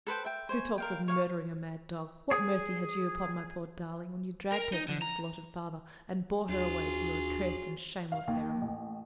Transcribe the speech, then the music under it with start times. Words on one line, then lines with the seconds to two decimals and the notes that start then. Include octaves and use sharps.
'Who talks of murdering a mad dog? What mercy had you upon my poor darling, when you dragged her from her slaughtered father, and bore her away to your accursed and shameless harem.'
0.07 A4 B4 C5 G5
0.25 E5 G5
0.49 C5 C#5 G#5
0.78 A#4 F5 G5
1.08 C#5 F5 G5 C#6
2.31 G#4
4.52 A#4
4.73 D#4
4.88 D3
5.02 A#5
6.49 D#2 D4 F4 F#4 G#4
8.12 F5
8.27 D#2
8.61 A1